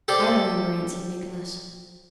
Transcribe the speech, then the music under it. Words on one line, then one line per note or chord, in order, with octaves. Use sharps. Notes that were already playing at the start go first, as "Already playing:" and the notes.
"I remember," answered Nicholas.
G4 A4 C5 D5